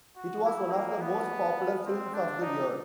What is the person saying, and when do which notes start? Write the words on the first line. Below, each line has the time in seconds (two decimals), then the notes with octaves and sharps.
It was one of the most popular films of the year.
0.16 F#4
0.44 E4
0.72 A#3
1.01 B3
1.86 C4
2.14 D4
2.42 D#4